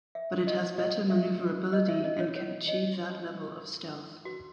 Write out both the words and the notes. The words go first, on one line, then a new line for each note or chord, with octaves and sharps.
But it has better maneuverability and can achieve that level of stealth.
E5
D#5
D#5
E5
D#5
E5
D#5
C#5
C#5
D#5
F#4